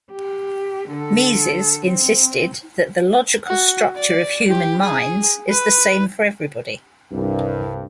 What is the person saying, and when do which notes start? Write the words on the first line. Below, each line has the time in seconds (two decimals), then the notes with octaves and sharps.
Mises insisted that the logical structure of human minds is the same for everybody.
0.12 G4
0.89 D3 A4
1.87 C4
3.47 F#4
3.96 D5
4.49 G4
4.82 G#4
5.50 B4
7.12 C2 G2